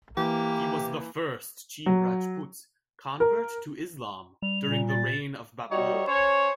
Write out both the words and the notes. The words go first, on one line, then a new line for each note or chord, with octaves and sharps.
He was the first Chib Rajput convert to Islam during the reign of Babur.
E3 A#3 G4
F#3
A#4
G3 F7
A#2 F7
A6
G3 D#4 F#4 C#5
C#4 C5 C#5